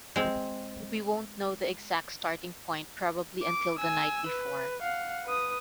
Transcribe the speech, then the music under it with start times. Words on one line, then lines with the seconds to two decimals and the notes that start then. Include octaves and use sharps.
We won't know the exact starting point probably until the night before.
0.16 G#3 C4
3.43 D6
3.79 G#5 E6
4.27 B4
4.81 F5 F#5
5.26 B4 D#6